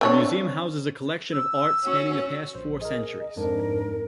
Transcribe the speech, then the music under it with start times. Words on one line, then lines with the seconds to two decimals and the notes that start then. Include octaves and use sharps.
The museum houses a collection of art spanning the past four centuries.
0.01 C4 D4 C#5
1.33 E6
1.85 C#4 F#4
2.55 A#1 C5
2.81 G#4 A#4 D#5
3.36 F2 G#2 D4 A#4